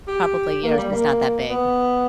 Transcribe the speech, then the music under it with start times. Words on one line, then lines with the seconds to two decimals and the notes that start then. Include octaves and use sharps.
Probably yours is not that big.
0.08 G4
0.63 A#3
0.78 G3
0.92 A#3
1.48 B3